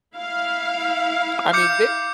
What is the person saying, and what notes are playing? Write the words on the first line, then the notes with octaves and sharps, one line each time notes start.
I mean, they
E4 F5
D6 G6 C#7